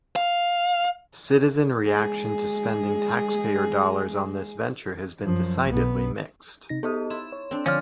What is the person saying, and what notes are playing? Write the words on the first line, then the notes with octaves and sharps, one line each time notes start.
Citizen reaction to spending taxpayer dollars on this venture has been decidedly mixed.
F5
G#3 G#4
F#2 F3
B1 B3
C3 D#4 A#6
B3 D#4 G4 A4 D#5 D#6
E4 C6 E7
C#5
C4 D4
D3 F3 C#4 C#5 D5 C6 D6 F6